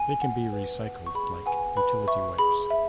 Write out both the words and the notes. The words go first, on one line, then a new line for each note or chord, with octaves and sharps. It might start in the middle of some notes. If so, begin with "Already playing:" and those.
They can be recycled like utility wipes.
Already playing: G#5
F#5
B4
F#5
C#6
G#4 B5
B4 F#5 G#5
B4 B5
E5 C#6
G#4 B5
E5